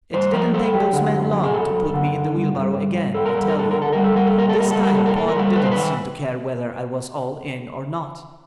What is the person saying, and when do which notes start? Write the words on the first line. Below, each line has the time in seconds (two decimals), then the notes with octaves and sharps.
It didn't take those men long to put me in the wheelbarrow again, I tell you. This time Pod didn't seem to care whether I was all in or not.
0.14 G2 C5
0.33 F3 A#4
0.54 G2 A4
0.74 F#3 G4
0.93 D3
1.13 F#2
1.33 F#3
1.43 G#4
1.54 F#2 A4
1.75 F#2
1.94 D3
2.14 D3
2.35 G2
2.55 G2
2.75 G2
2.94 G2
3.15 G2 A4
3.26 A#4
3.35 G2 A4
3.48 A#4
3.55 D3 A4
3.71 D3 A#4
3.82 A4
3.92 G3 A#4
4.04 A4
4.15 G3 A#4
4.27 A4
4.35 A#2 A#4
4.49 A4
4.56 G3 A#4
4.71 G3 A4
4.83 A#4
4.94 A#2 A4
5.05 A#4
5.15 A#2 A4
5.28 A#4
5.36 G3 A4
5.56 F#2 B4
5.63 C5
5.71 B4
5.77 D#3